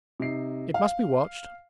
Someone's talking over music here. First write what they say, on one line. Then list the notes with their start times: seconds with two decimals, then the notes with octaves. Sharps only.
'It must be watched.
0.20 C3 D#4 C7
0.74 F5